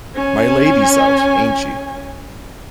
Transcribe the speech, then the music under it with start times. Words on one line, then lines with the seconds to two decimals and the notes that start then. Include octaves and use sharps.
My Lady's out, ain't she?
0.15 C#4 G#5